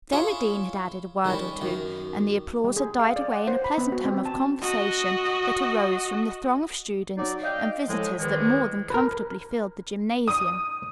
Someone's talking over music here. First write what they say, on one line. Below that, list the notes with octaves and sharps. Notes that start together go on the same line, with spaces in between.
Then the dean had added a word or two, and the applause had died away in a pleasant hum of conversation that arose from the throng of students and visitors that more than comfortably filled the gymnasium.
E4 F4 G#4 C#5 E5
D#3 G3 C#4 E4
F#2 D#3
G3
G#4
F5
D5
F#5
C5
B5
B3
F#4
C4
A5
F#4 D#5
F#3 D#4 D5
D5 D#5 F5 G5
A2 F3 G#3
E2 D#3 F3 G3 G#3
A#4 B4
D#6